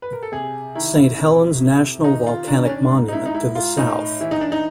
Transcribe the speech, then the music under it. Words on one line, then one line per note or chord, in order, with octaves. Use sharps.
Saint Helens National Volcanic Monument to the south.
B4
A#4
A4
C3 G#4
D#3 E4
F2
C3
D#3 D#4
F4
D#3 D4
C#4
D4
G#2
D#4
E4
D#4
G#2 E4
F4
A2 D#4
E3 E4
D#4
D4
D#4